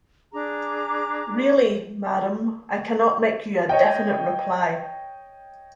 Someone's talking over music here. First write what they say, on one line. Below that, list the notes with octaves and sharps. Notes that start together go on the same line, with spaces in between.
Really, madam, I cannot make you a definite reply.
D4 G#4 A#5 D6
C#5 D#5 G5